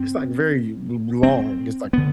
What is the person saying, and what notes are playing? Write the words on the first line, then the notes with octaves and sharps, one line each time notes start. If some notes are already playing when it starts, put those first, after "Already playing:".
it's like very l long, it's like
Already playing: G2 C4
C4
D3 B3